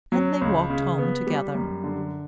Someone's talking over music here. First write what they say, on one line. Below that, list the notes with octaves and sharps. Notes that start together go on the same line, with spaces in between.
And they walked home together.
F#3
C#2
C#3
B3
G3
F#2
D3